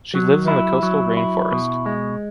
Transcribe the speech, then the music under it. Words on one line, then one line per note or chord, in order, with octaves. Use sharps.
She lives in the coastal rainforest.
F#3
E4
F#3
E4
B2
G#3